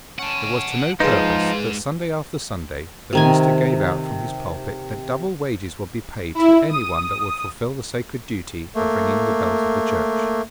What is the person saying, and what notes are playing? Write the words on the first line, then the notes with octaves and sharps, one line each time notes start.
It was to no purpose that Sunday after Sunday the minister gave out from his pulpit that double wages would be paid to anyone that would fulfil the sacred duty of ringing the bells of the church.
C#4 F#5 A5
G#2 F3 D#4 F4 G#4 B4
C3 D#3 G#5
E4
D#6
A3 A#3